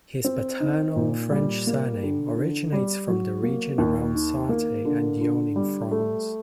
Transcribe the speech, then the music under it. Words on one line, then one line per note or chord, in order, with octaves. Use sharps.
His paternal French surname originates from the region around Sarthe and Yonne in France.
C4
D#4
A#2
G3
A#3
D3
D3
G3
F#3
A#3
D#2
D#3
A#3
D3
D3
G3
A3